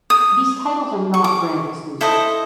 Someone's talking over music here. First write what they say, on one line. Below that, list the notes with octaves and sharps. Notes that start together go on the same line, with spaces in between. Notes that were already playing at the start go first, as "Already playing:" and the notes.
These titles are not brand exclusive.
D#6
C#6
D6
E4 A4 C5 D#5